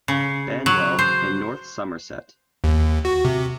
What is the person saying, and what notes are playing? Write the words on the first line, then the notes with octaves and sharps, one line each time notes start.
Banwell in North Somerset.
C#3
F#3
C5
D#2
F#4
C3